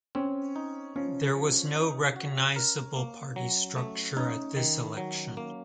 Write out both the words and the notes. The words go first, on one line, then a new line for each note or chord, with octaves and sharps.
There was no recognisable party structure at this election.
C4 C#4
D#4
F3 C#4
F3
D#4
F#4
A#4
A#3
F#3
A3
C#4 D#4
D#3
F#3
A#3